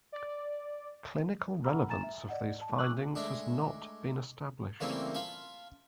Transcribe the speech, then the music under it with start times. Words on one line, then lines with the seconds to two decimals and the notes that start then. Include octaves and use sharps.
Clinical relevance of these findings has not been established.
0.12 D5
1.64 A4 F#5 A#5 B5 E6 F6
1.89 G#5 A#5 A6 E7
2.03 E5
2.29 D5 D#5 F#5
2.61 A5
2.79 C#6 D6 E6 F#6 F#7
3.15 G#3 A3 D4
4.80 C#3 E3 G3 A3 A#3 C4
5.14 F4 A5 B5 C#6